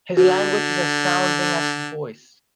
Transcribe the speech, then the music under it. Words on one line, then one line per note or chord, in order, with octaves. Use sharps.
His language is as sounding as his voice.
D3 F#4